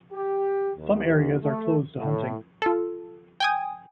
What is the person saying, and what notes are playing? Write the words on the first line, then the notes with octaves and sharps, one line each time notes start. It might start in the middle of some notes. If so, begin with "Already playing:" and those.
Some areas are closed to hunting.
G4
D#2
A3
A2
F4 A4
G5 G#5 D#6